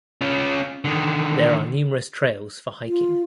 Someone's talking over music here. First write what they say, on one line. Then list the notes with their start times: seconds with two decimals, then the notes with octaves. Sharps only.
There are numerous trails for hiking.
0.21 C#4 F4
0.85 D3 D#3
2.87 F4